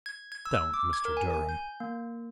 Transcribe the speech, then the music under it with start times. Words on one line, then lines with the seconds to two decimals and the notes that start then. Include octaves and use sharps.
"Don't, Mr. Durham!"
0.06 G#6
0.32 G#6
0.45 E6
0.74 D6
0.93 G#6
1.05 A#4
1.17 G#5
1.30 G#5
1.49 G6
1.80 A#3